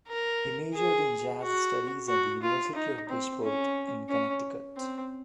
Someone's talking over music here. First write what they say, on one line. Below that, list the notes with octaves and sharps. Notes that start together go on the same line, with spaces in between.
He majored in jazz studies at the University of Bridgeport in Connecticut.
A#4
G#4
F#4
F#4
F4
D#4
C4
C#4
C#4
C4